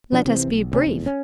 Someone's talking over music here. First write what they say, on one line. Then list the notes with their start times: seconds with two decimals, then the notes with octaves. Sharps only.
Let us be brief.
0.12 B2 F3 D4
0.25 C3 E3 C4
0.48 B1
0.72 D2 C3 C#4
0.87 F1 E2
1.06 C#4